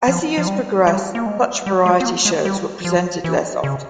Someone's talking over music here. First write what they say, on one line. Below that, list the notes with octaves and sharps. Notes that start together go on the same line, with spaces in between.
As the years progressed, such variety shows were presented less often.
F3
F3
G3
G3
A#3
G#3
G3
G#3
C4
A#3
G#3
G3
F3
E3
C#3